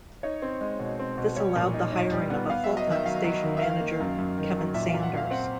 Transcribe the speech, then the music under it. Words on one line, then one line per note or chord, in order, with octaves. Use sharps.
This allowed the hiring of a full-time station manager, Kevin Sanders.
D#4 C#5
C4
G#3
B2
C4
B2
G3 C#5
A#2
D#4
D#4
G3
B3
B3 F5
F#3 E5
D#5
D#3 E5
F#3 F5
F#3
D#3
E5
D#3 F5
A#3
F#2
F#2
D#3
F#3
A#2 E5
A#2 F5
F#5
A#2 F5
C4 F#5